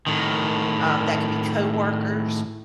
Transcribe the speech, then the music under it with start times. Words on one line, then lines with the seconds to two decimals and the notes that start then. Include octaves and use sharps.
um, that can be coworkers.
0.07 A2 D#3